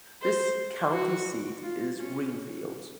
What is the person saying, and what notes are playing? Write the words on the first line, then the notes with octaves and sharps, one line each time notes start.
The county seat is Greenfield.
C5
F#4
F4
C#4